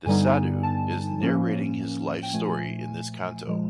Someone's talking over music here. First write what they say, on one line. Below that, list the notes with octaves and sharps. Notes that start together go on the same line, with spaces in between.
The sadhu is narrating his life story in this canto.
G2 D3 G3 B3 D#4 G#5
A5
A2 F3 A#3 C#4
G5
A#2 F3 A3 G#5
A#2 F3 G#3